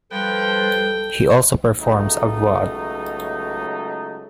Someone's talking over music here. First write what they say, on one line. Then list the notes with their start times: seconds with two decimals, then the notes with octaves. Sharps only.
He also performs abroad.
0.12 F3 G3 A4 B4 G5
1.79 C#2 F#3 A3 D#4